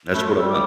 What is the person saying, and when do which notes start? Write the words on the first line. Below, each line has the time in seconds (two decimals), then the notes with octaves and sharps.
That's what I've done.
0.14 A3 B5
0.25 C6
0.32 G3
0.38 E6
0.50 D6